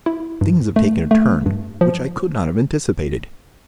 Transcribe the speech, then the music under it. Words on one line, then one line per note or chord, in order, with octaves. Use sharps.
Things have taken a turn which I could not have anticipated.
E4
G2
A3
A3
G2
F3